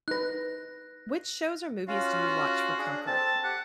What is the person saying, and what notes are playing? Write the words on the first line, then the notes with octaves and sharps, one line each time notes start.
Which shows or movies do you watch for comfort?
D#4 B4 F#6 A#6
C#4 F4 F#4 F5
D4 G#4
C4 A4 A5
G4 F#5